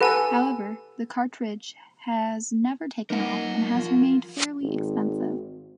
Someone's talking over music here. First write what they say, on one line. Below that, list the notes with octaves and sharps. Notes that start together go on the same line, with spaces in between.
However, the cartridge has never taken off, and has remained fairly expensive.
G4 A4 B4 F#5 G#5 E6
F#3 A#3 D#4 A#4 F#5
F3 F4
G#1